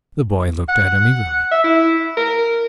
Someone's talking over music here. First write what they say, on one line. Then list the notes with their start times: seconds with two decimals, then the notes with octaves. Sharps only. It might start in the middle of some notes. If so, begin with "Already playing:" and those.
The boy looked at him eagerly.
0.69 F#5
1.52 E5
1.64 E4
2.17 A#4